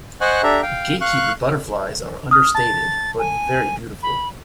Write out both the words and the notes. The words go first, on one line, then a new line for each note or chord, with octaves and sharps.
Gatekeeper butterflies are understated but very beautiful.
C5 D#5 F#5 G#5 C#6 F#6
D4 G4 A4 E5 A#5
F5 G5
F5 C#6 F#6
D#6 F6
A5 A6
G#5
B5